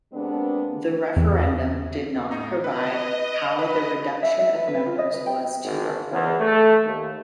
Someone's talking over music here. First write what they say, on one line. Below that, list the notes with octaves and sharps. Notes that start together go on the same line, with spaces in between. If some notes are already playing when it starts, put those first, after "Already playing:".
The referendum did not provide how the reduction of members was to occur.
C3 G#3 A#3 B3 D4
E2
A2 D#4 A#5
B4 D#5
B4 D#5 B5
E5
E5
B4
B4
F4
D#5
B4
G5
G#1
E2
A3
D#2